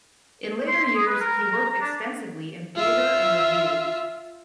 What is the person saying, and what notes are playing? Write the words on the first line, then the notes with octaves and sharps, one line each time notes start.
In later years he worked extensively in theatre and revue.
C6
C6
G#4
B4
A#4
A#4
A#5
A#5
D4
F4 E5